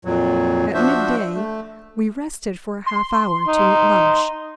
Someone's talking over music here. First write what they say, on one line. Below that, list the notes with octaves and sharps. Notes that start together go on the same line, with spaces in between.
At mid-day we rested for a half-hour to eat lunch.
F2 A#2 F#3
F3 D4 F#4 C5 E5
A3
C6
D#4